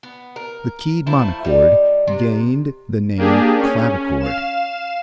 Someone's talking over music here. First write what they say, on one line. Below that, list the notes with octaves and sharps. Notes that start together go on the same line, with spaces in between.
The keyed monochord gained the name clavichord.
B3
A#4
F3 A3 E4
G3 D#4
C3
A#3 D4 G4 G#4
C#4
F5 E7